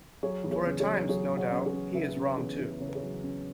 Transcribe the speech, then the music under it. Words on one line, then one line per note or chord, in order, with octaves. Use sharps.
For at times, no doubt, he is wrong too.
F#3 G#4 C#5
E2
G#4 C#5
C#3
G#4 C#5
F#3
F#3 G#4 C#5
F#3
C#5 F#5
C#4
B4
G#4 C#5
C#4
C#3 B4 E5
C#4
E2 G#4
E2
C#3 C#5
B4
G#4 C#5
F#3
C#4